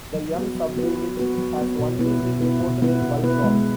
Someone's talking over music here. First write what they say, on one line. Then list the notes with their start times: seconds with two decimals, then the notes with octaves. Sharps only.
The M subunit has only been reported in bullfrogs.
0.15 F#3
0.35 B3 F#4 B4
0.55 F#3
0.76 B3 F#4 B4
0.96 F#3
1.17 B3 F#4 B4
1.37 F#3
1.58 B3 F#4 B4
1.80 B2
1.99 B3 E4 B4
2.20 B2
2.41 B3 E4 B4
2.62 B2
2.82 B3 E4 B4
3.03 B2
3.23 B3 E4 B4
3.44 G#3